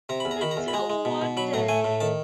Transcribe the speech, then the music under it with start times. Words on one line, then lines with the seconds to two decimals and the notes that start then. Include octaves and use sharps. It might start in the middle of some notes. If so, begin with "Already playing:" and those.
Until one day,
0.09 C3 A#5
0.20 E2 B5
0.31 A#5
0.41 D#3 B5
0.51 A#5
0.57 E2
0.68 B5
0.73 G#3 A#5
0.90 G#3
1.05 B2
1.21 B2
1.37 F#3 B5
1.53 A2 A#5
1.69 A3 G#5
1.84 A2
2.00 D#3 A5